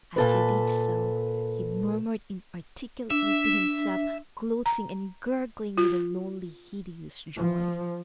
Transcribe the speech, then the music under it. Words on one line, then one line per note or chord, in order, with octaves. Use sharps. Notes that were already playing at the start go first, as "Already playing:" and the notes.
As he did so, he murmured inarticulately to himself, gloating and gurgling with a lonely, hideous joy.
A#2 A4 B4
D4 E5
A#5
F4
F3